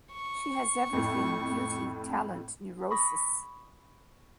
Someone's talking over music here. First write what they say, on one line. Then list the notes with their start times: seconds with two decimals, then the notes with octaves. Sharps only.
She has everything-beauty, talent, neurosis.
0.12 C#6
0.93 F2 A2
2.91 B5 C#6 D#6 A#6 B6